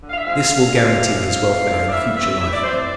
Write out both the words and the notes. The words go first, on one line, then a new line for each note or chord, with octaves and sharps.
This will guarantee his welfare in the future life.
D3
F5
E5
G#3 C4 F4 F5
D3
G#3 C4 F4
C3 F5
F3 A3 D4
C3
F3 A3 D4
D5
A2 E5
E3 A3 C4 E5
A2 E5
D5
E3 A3 C4 C5
D5